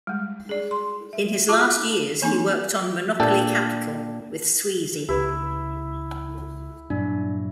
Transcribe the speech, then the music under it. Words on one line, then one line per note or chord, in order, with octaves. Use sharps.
In his last years he worked on "Monopoly Capital" with Sweezy.
G3 G#3
G#4 D5
C6
E5
F4 F#4 A5 C#6 D6
E3 A#3 C4 D4 D#4 G#5
A#2 D4 G4 A4
C#2 E4 G4 B4
G2 A#2 F#3 D4